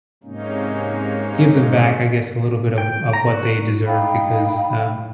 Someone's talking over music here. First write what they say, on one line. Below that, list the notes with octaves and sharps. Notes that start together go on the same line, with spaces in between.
give them back, I guess, a little bit of of what they deserve because, um,
G#2 C3 G#3 A#3 C#4 D#4
G5
A#5
F#4
D#4 F5 G5 B5